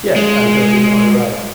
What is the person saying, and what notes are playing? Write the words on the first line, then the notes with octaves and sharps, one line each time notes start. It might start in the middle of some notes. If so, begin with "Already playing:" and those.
Yes, I got it all right.
G#3